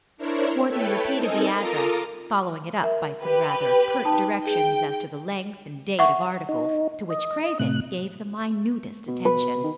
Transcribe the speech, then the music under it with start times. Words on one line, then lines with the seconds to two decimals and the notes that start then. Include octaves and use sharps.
Wharton repeated the address, following it up by some rather curt directions as to the length and date of articles, to which Craven gave the minutest attention.
0.17 D4 E4 A#4 C5 C#5
0.67 E4 A4 B4 C#5 G5
1.14 C4 D#4 A4 A#4 D#5 G#5
1.55 F4 A4 A#4 A#5 D6 D#6
2.83 A#4 E5
3.25 G4 B4
4.05 D#4 G5 A5
4.46 G#4 G5
5.99 E5 F#5 C#6
6.49 D#4
7.10 D#5
7.59 A2 C3 F#6
9.08 B2
9.25 B4
9.64 D#3